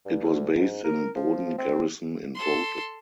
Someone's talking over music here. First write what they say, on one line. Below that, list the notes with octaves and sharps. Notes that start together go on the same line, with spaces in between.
It was based in Boden Garrison in Boden.
G2
D2
G#2
A#4
F3
C4
A4 C6